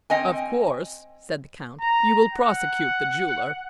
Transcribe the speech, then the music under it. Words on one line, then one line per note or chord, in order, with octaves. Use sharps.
"Of course," said the Count, "you will prosecute the jeweler."
C4 D#5 G5 G#5
A#5
F#5